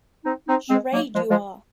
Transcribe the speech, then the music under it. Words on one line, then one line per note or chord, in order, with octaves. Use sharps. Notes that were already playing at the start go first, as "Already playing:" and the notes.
Charade you are!
C4 D#4
C4 D#4
G#3 C4
F#3 A#3
F3 G#3
F3 G#3